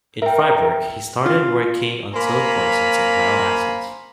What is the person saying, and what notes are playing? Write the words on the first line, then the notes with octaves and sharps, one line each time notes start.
In Freiburg he started working on toad poisons and bile acids.
A#4 E5 G5
F4
A#3 C5 F5 G#5 A#5 B5